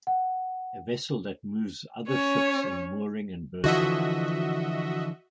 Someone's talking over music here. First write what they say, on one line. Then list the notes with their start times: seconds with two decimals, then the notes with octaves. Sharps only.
A vessel that moves other ships in mooring and berthing.
0.07 F#5
2.08 C#4 C#5
3.64 D3 E3 F3 F#4 D#5 E5